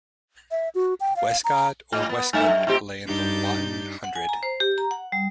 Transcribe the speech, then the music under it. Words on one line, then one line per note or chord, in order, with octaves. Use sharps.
Westcott or Westcote lay in the Wotton Hundred.
E5
F#4
G5
F5
A#5
A2
B3
G2 A3 E5
F#2
A2 C4 G4
G2 D4 D#4 G4 G6 A6
F#5
G#5
A#5
C5
G4
A#5
F#5
G3